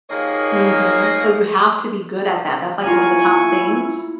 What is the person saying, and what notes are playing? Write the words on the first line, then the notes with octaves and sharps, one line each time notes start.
Mhm. So, you have to be good at that, that's like one of the top things.
D#2 F3 A#3 G#4 C#5 D#5
A#3 E4 F4 G#5 C#6